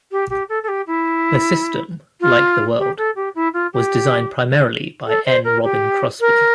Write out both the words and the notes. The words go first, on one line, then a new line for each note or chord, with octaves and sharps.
The system, like the world, was designed primarily by N. Robin Crossby.
G4
G4
A4
A4
G4
E4
F4
G4
A4
G4
E4
F4
G4
A4
C5
A#4
G4
A#4